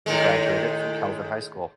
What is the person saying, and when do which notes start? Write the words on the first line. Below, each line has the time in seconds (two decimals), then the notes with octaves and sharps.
She graduated from Kelvin High School.
0.06 A2 D#3 G#3